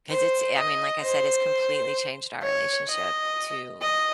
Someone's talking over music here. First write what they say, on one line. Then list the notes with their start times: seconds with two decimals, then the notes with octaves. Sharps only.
'Cause it's I mean, like I said, it's completely changed our relationship, too.
0.11 C5
0.57 D#5
1.03 C5
2.43 C#5
2.89 D#5
3.82 D#5